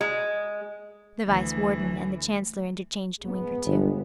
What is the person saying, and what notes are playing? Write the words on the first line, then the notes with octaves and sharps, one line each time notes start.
The Vice-Warden and the Chancellor interchanged a wink or two.
G#3
D2 E3
G#3 B3
G1